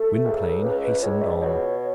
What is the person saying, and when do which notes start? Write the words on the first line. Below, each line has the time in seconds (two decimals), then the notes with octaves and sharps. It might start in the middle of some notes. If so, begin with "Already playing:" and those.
Gwynplaine hastened on.
Already playing: A3 A4
0.24 C#2
0.63 C#2 B4
0.83 B4
1.02 C#2 C#5
1.22 E5
1.26 D5
1.41 B2 C#5